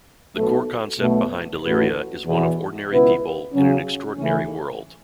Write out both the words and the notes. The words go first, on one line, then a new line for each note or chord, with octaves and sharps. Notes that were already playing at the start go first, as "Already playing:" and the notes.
The core concept behind Deliria is one of ordinary people in an extraordinary world.
B1 B2 A3
B1 B2 A3
A1 A2 A3 F#4 B4
E2 B2 B3
C#2 B2 B3 E4 B4
C#3 F#3 C#4
C#3 E3 A3 C#4